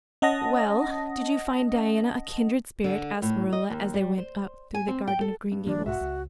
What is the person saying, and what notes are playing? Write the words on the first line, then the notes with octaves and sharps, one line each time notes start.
"Well, did you find Diana a kindred spirit?" asked Marilla as they went up through the garden of Green Gables.
C#4 D#5 F#5 A5 D#6 A#6
D3
A2
D#5
D#2
G3
C5
G#5
C4
G5
A4
G2
D#3 F3 A#3 D4
B1 G#2 F#4 E5 F#5
C#2